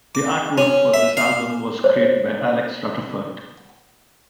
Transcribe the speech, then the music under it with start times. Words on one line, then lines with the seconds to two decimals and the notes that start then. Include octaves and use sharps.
The artwork for this album was created by Alex Rutterford.
0.15 D6
0.58 C#4
0.94 E5
1.17 F5
1.84 C5 C#5